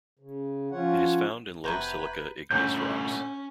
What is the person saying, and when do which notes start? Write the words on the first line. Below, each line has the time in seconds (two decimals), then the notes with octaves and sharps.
It is found in low silica igneous rocks.
0.19 C#3
0.71 F3 C#4 F4 C#5 F#5
1.64 F1 C3 A3 F#4 B4 A#5 G6 G#6
2.51 G1 A#2 A3 C#4 G6